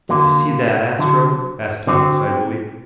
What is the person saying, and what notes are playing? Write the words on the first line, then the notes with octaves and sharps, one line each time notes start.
"Did you see that, Astro?" asked Tom excitedly.
D3 F#3 A#3
D3 F#3
D3 F#3 C4